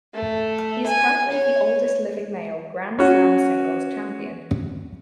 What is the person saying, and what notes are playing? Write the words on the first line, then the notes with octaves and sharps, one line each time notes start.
He is currently the oldest living male Grand Slam singles champion.
A3
G#5
C#5
C#4 F#4